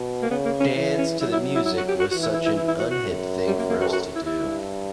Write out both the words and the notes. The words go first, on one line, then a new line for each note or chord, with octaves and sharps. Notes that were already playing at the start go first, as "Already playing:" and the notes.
'Dance to the Music' was such an unhip thing for us to do.
Already playing: B2
A#3
C#3 B3
A#3
C#4
E3
C#4
F#3 E4
E4
E4
E4
F#4
G4
F#4
E3 F#4
E4
E4
E4
E4
E4
F#4
F#4
F#2
G3
A#3
A#3
F#4
F#4
E4
E4
G2